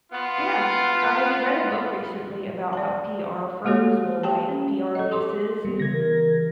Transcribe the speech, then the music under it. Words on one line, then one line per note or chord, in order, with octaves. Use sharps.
Yeah. I read a book recently about how PR firms will write PR pieces
B3 F4
D5 A5
G#3 A#3 F#4 G4 A4 C#5
G4 G5 A5
C#4
A4 D#5
G4 C6 D6
G3 B3 G4
C#3 E3 G#6 A#6
A#4